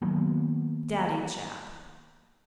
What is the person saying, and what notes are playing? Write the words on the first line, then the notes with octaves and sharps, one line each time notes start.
Daddy Jap.
D#3 F#3 A#3 B3